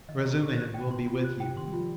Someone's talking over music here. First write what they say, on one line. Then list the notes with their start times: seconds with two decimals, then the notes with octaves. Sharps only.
Razumihin will be with you.
0.09 D#3 D#5
0.25 C3 A#5
0.42 A#2 G4
0.57 C5
0.74 G5
0.91 C6
1.07 F4
1.24 C3 C5
1.40 C3 G5
1.57 D#3 C6
1.68 G3
1.73 F3 F4